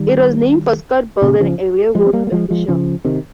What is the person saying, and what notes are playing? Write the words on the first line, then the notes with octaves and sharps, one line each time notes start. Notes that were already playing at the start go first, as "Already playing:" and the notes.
It was named for Scott Belden, a railroad official.
Already playing: D#3 G3
A#2 C#3
C#3 F3
F3 G#3
C4
G3 A#3
A#3
F3 G#3
F3 G#3
C#3 F3
C3 D#3